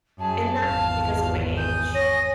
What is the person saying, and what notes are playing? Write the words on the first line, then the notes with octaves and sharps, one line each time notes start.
and not just because of my age.
F#2 G#4 A5
G#1 E2 F5
G#5 D#6 G6
C#5 A#6